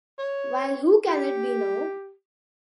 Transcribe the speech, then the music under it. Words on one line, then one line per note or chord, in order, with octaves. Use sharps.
While Who Can It Be Now?
C#5
G4